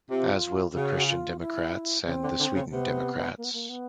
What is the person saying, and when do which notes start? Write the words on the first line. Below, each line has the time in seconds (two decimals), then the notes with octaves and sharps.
As will the Christian Democrats and the Sweden Democrats.
0.09 C3 F4
0.74 C#3 F#4
0.95 F#4
1.08 F4
1.40 E4
2.05 C#3 C4
2.22 D3
2.39 D3
2.55 C#3
2.71 C3 B3
3.38 A#3
3.45 B3
3.53 A#3
3.69 B3